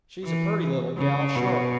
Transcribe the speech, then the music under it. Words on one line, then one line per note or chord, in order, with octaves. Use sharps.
"She's a purty leetle gal--shore."
E3
C#3
B2